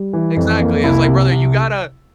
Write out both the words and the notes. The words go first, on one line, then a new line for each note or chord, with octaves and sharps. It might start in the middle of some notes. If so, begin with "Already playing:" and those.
Exactly. I was, like, "Brother, you gotta
Already playing: G3
E3
F2
A#3
C2 E4
C3
C2